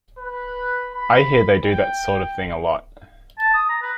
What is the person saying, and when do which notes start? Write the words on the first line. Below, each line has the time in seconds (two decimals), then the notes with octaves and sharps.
I hear they do that sort of thing a lot.
0.18 B4
0.94 B5
1.65 G5
3.38 A5
3.54 D#6
3.69 A#5
3.82 B4